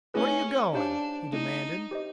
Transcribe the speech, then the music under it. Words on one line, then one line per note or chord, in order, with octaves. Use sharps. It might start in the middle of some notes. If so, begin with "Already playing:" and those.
"Where're you going?" he demanded.
A3 C4 C#4 E4 G#4 B4
D4 D#4 G4 C5 F5 A5
A3 C4 D#4 E4
G4 C5 D#5